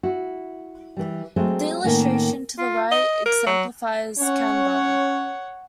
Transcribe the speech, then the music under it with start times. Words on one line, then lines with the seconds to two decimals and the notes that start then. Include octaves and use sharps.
The illustration to the right exemplifies "kanbun".
0.03 E4 F#4
0.97 E3 G3
1.36 F#3 G#3 A3 C4
1.84 A2 D#3 A#3 B3 C#4
2.58 F4
2.92 D#5
3.26 A#4
3.47 F#3
4.19 C#4 C#5 F#5